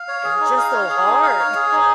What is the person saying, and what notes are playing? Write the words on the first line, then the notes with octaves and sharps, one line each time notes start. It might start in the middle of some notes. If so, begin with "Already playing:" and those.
They're just so hard.
Already playing: F5
C#5
G#4
D#4
F5
C#5
G#4
D#4
F5
C#5
G#4
D#4